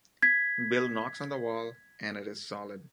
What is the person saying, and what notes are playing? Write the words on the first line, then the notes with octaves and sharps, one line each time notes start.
Bill knocks on the wall, and it is solid.
G#6 B6